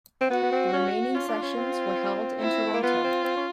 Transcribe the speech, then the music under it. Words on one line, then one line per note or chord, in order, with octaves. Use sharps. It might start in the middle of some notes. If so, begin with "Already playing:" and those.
The remaining sessions were held in Toronto.
C4
B3 F#4
B3
C4
C#4
C#4 F4
D4
C#4
C4
E4
A#3
B3 F4
C4
C4
C#4